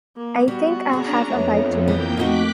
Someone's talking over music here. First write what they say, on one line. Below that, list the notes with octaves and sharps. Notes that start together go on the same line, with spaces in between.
I think I'll have a bite to eat.
A#3
G3 B3 F#4
C#4 D4 G#4 A#5
F2 B3 B4 C#5 E5
E3 A#3 G5 G6
A3 C4 D#4 E4 F#4 D6 F#6 B6